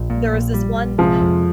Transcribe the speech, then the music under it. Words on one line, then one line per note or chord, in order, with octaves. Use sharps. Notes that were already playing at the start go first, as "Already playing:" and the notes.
there was this one
Already playing: A#1
A#2
A#1
G3
A#1
C3 F3 G#3
F2